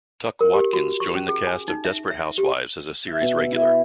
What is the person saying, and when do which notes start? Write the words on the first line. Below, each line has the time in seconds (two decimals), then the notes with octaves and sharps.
Tuc Watkins joined the cast of "Desperate Housewives" as a series regular.
0.41 A#4
0.54 G4
0.73 F#4
1.00 C#6
1.15 C#4
1.28 G#4
1.47 G#5
1.68 D#4
1.85 E5
2.11 E5
2.38 G4
3.08 E5
3.22 B2
3.52 E4